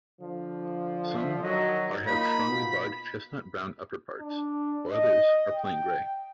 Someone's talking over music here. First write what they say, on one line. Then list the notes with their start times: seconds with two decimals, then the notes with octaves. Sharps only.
Some are have strongly-barred chestnut-brown upperparts, while others are plain grey.
0.20 D3 F3
1.13 E5
1.42 D#3 F#3 D#5
2.07 A#3 D#4 F4 B5
2.47 B2 F4
4.20 D4
4.92 D#5
5.53 G5